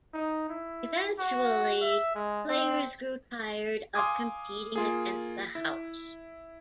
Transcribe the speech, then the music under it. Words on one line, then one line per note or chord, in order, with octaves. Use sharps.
Eventually players grew tired of competing against the house.
D#4
E4
F#4
E5
G#3
C4
F5 G#5 C6 D6 D#6 G#6
A#3 F4 G#4
E4